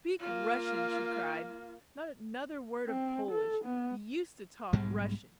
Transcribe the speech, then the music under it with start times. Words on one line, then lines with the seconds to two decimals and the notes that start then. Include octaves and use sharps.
Speak Russian!" she cried, "not another word of Polish! You used to talk Russian.
0.19 A#3 F4
2.87 C4
3.31 A4
3.64 B3
4.73 B1 G#2 G3 G#3